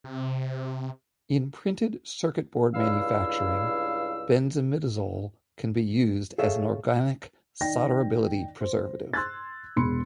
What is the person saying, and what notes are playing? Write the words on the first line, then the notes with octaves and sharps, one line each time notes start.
In printed circuit board manufacturing, benzimidazole can be used as a organic solderability preservative.
C3
C#2 G2 E4 F5 E6
G#4 A4 C#5 E5 F5
D#3 D5 G5 A#6
C5
C6 E6 F#6 G#6 A6
E1 E2 B5 C6 C#7